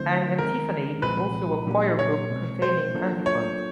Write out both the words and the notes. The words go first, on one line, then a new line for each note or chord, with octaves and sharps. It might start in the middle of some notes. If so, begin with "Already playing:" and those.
An antiphony is also a choir-book containing antiphons.
Already playing: D3 F#3 A3 C4 E4 C5
D#3 G#3 C4 A#4
C2 A#2 F3 G#3 C4 B4
A#2 F#3 A#3 D4 G4
C#5
B2 G#3 C4
C5
F#3 A#3 D4 F4 A4
C#5